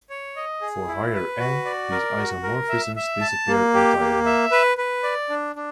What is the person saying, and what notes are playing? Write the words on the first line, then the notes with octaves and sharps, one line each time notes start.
For higher "n", these isomorphisms disappear entirely.
C#5
D#5
G#4
E4
B4
F#4
D5
A#4
F#4
A#4
E5
E5
A5
A#3
G4
A#3
E5
B4
B4
D5
D4
D4